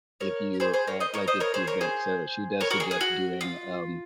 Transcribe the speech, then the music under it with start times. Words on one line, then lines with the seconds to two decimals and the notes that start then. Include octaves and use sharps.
if you, uh, like, if you vent, so she does suggest doing, um,
0.20 A#4 C#5
0.60 G#4 C5
0.74 G#4 C5
0.87 A#4 C#5
1.00 C5 D#5
1.14 A#4 C#5
1.27 C5 D#5
1.40 A#4 C#5
1.54 G#4 C5
1.67 A#4 C#5
1.81 G#4 C5
2.61 A#4 C#5
2.71 F#4 A#4
2.80 G#4
2.91 G#4
3.01 F#4
3.41 F4